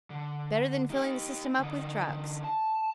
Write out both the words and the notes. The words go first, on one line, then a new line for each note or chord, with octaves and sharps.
Better than filling the system up with drugs.
D3
D#4 G4
D3 D#4
A5